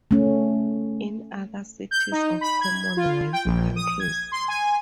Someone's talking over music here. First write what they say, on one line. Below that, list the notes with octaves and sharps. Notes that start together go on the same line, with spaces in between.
In other cities of Commonwealth countries.
A3 C#4
G6
D#4
B5
G#6
F4
G5
A#1
D#6
G#6
C6
G#5